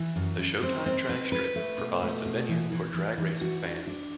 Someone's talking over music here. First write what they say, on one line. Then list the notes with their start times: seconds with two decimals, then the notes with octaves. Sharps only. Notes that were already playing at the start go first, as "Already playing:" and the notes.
The Showtime Dragstrip provides a venue for drag racing fans.
Already playing: E3
0.16 F#2
0.39 F#2
0.63 C4
0.86 C4
1.09 B4
1.32 B4
1.56 A3
1.78 B2
2.02 A3
2.25 B2
2.49 E3
2.71 E3
2.94 E3
3.18 E3
3.41 F#4
3.65 D4
3.87 D4